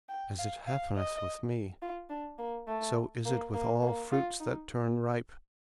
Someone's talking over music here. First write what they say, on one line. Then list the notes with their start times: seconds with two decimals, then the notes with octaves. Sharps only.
As it happeneth with me, so is it with all fruits that turn ripe.
0.09 G5
0.39 F5
0.67 F5
0.96 D#5
1.82 F4
2.10 D4
2.38 A#3
2.67 A3
3.25 A#3
3.54 A#3
3.82 A#3
4.12 F4
4.40 D#4